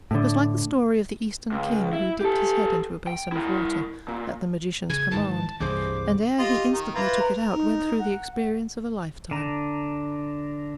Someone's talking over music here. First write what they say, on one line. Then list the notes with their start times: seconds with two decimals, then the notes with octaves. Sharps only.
It was like the story of the eastern king, who dipped his head into a basin of water, at the magician's command, and ere he instantly took it out went through the experience of a lifetime.
0.11 A2 D3
1.52 C#2
1.93 E4
2.21 G4 A4
3.07 G5
3.32 E4 A#4
4.08 A#2
4.90 C#3 G#6
5.11 G#2 D#3 E3 A5
5.60 C2 G2 E3 G#4 C5 D6
6.39 F4 G4 D#5
6.73 D#3
6.95 A#3 E4 F4 B4
7.20 A#4
7.54 D#4
7.99 F#5
9.31 D3 A#5